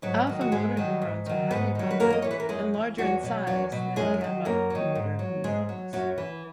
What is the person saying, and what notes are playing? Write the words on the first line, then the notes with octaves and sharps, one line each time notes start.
Alpha motor neurons are highly abundant and larger in size than gamma motor neurons.
G#2 F#3 F#4
D#3 F#3
F#4
G#2 G#3 G#4
D#3 F#3
G#2
D#3 F#3
G#2 B3 B4
D#3 F#3
B4
F#2 A#3 A#4
D#5
E3 C#5
B4
A#4
F#2 G#3 G#4
E3
E2 F#3 F#4
B2 F#3
E2 F#3 F#4
B2 F#3
F#2 G#3 G#4
D#3 F#3
F#2 A#3 A#4
D#3 F#3
G#2
F#3
G#2 G#3 G#4
F#3
F#2 F#3 F#4
E3